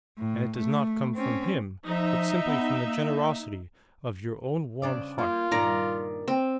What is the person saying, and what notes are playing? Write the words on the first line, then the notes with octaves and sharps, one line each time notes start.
And it does not come from him but simply from the generosity of your own warm heart.
A2
A3
C4 C#4
F3 D#4 E5
B3
A#3
C#3 D4 D5
A#3 F4
G2 A#2 D#3 D5 A#5
C4